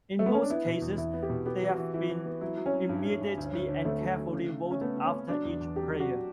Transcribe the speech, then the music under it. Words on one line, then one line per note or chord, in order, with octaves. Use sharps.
In most cases, they have been immediately and carefully rolled after each prayer.
A3
B3
C#4
D4
B3 E4
B2
E2
E2 E4
B3
G4
B2
B3 G4
E3
F#4
E3
E3 E4
E3
B3
F#3 E4
F#3
C#4
F#3
G2
G2
G2
D2
D2
D3
D2 A3
F#3
D3
C#3
C#3
C#3
C#4
A3 B3
C#3
C#4
C#3
F#3 D4
E2
E2
F#3 G4
F#3
F#4